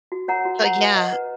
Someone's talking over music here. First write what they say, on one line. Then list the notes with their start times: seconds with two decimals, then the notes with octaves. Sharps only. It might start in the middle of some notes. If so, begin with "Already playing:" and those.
So yeah.
0.12 F#4
0.28 A#4 C#5 F#5 A#5
0.45 F#4
0.62 A#4 C#5 F#5 A#5
0.79 B4
0.96 D#5 F#5
1.13 B4